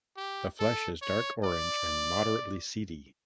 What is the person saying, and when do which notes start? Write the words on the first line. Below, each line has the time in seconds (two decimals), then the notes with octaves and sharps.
The flesh is dark orange and moderately seedy.
0.17 G4
0.59 A4
1.02 C#5
1.44 D5